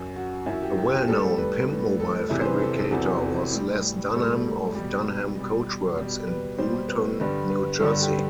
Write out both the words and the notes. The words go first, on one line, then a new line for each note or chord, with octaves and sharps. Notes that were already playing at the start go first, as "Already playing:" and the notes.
A well-known pimpmobile fabricator was Les Dunham of Dunham Coachworks in Boonton, New Jersey.
Already playing: F#2 F#3
F#4
F#2 F#3 E4
G4
G4
G4
A2 G3 A4
B4
A2 G3 B4
A4
E2 C3 E3 E4
C5
B4
A4
A4
E2 C3 E3 F#4
A2 G3
A2 G3 A4
B2 G3
B2 G3
B2 G3
B4
B2 G3 C5
B4
G2 D3 G3 B4
B4
G2 D3 G3 A4
G4